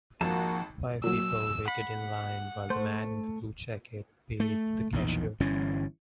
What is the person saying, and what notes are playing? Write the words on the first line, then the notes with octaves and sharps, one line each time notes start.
Five people waited in line while the man in the blue jacket paid the cashier.
G#1 F3 A#3 F#4 A5
A#2 F#3 E6
F#5 B5
A3 C5
A3
A#1 E2 D#3
G1 G2 E3 C#4